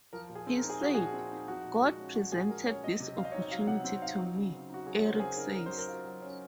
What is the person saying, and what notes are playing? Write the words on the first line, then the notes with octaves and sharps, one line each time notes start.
He said, "God presented this opportunity to me," Eric says.
F3 A#4
A#2
G#4
C4
A#4
D#4
G#4
F3 F#4
A#2 G#4
C4
D#4
F3 F#4
A#2
G#3 F#4
C#4
F3 F#4
A#2 G#4
G#3 A#4
C#4 C#5
F#3 D#5
C3
C4 F5
D#5
C#5
D#4
D#5
F#3 F5
C3 F#5
C4
D#4 F5
F#3
C#3
C4
D#4 F#4
F#3 G#4
C#5
C#3 C5
A#4
C4 G#4
D#4 A#4
C#4 A#4
F#3 C5
A#4
F4
F#3
C#4